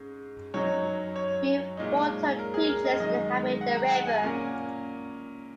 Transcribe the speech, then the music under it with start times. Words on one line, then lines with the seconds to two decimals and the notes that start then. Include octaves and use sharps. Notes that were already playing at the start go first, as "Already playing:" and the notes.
Few water creatures inhabit the river.
Already playing: G#2 G#3 C#4
0.54 F#2 F#3 D#4 C#5
1.16 C#5
1.77 A#2 G#3 D#4
2.39 A#4
2.54 G#4
2.69 A#4
2.85 D#5
3.00 F#2 D#3 G#3 D#4 D#5
3.61 F#5
3.77 A#5
3.92 F#5
4.07 G#5
4.23 A#2 A#3 C#4